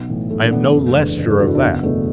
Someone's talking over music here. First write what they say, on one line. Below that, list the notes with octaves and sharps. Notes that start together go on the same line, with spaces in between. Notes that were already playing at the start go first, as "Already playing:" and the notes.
I am no less sure of that.
Already playing: B1 B3
A2 E3
B1 A3
D4
A2 E3 B3
F#1 A3
E2 D3
F#1
A4
E2 D3 F#4
E4
D4
F#1 B3
E2 B2 A3